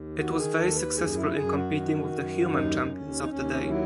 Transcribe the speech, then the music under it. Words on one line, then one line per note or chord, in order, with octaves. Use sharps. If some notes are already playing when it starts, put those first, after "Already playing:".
It was very successful in competing with the human champions of the day.
Already playing: D#2
D#3 F#4
G#4
D#2 A4
B4
F#2 G#4
E4
F#2 G#4
F#4
D#3
F#2
D#2 D#4
B3
D#2 C#4
D#4
D#2 C#4
F#3 E4